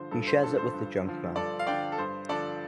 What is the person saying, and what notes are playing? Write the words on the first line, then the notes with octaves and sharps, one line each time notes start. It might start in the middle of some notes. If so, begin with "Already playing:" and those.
He shares it with the junkman.
Already playing: G2 D3 F3 C5
G2 A4
C5
D3 F3 A4
C5
G2
D3 F3
G2 A4 D5
F5
D3 F3 D5 G5
A4
G2 C5
D3 F3 A4 D5